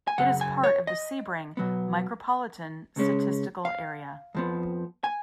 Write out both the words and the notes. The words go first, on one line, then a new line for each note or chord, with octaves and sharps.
It is part of the Sebring Micropolitan Statistical Area.
G#5
F#2 C#3 F#5
G#5
C#5
D#5
B2 F#3 B3
C#2 C#3 G#3 C#4
F5
F2 F3 B3
G#5